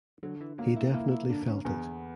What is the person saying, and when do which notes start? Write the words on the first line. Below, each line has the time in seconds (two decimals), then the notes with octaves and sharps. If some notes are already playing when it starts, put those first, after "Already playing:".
He definitely felt it.
0.23 D3 F#3
0.41 E3
0.58 F#3 A#3
0.76 E4
0.94 A#3 E4
1.11 E4
1.30 D3 D4
1.48 C#4
1.65 E2 B3